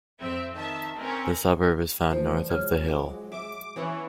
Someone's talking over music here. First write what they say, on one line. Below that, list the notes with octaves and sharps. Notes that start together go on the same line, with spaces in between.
The suburb is found north of The Hill.
F2 C4 E5
D#3 E5 A5
C4 C#4 A#4
E3 F3 G3 A3
F#3 G#3 C#5 F6
D6
E5 D6
E3 B3 C#4 F#5